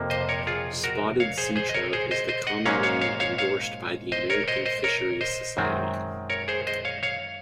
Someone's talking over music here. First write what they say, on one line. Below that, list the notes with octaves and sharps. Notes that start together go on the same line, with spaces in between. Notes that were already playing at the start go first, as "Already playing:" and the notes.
Spotted seatrout is the common name endorsed by the American Fisheries Society.
Already playing: F2 C3 F3 A#3
C5 D#5
A#4 C#5
F4 G#4
F#4 A#4
C#5 F5
G#4 C5
G#4 C5
D#5
A#4 C#5
G#4 C5
C5 D#5
C5 D#5
D#5 F#5
G#2 F#3 A#3 C#4 C#5 F5
C#5 F5
C#5 F5
C#5 F5
C#5 F5
C5 D#5
A#4 C#5
C5 D#5
C5 D#5
A#4 C#5
C5 D#5
F#2 D#3 G#3 C4
A#4 C#5
G#4 C5
C5 D#5
C#5 F5
C#5 F5